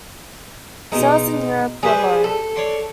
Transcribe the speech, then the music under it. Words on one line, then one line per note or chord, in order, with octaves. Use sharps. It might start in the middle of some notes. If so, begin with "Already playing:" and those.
Sales in Europe were low.
B2 G#3 D#4
G3 G#4 B4 C5
A4
C#5 D5 C6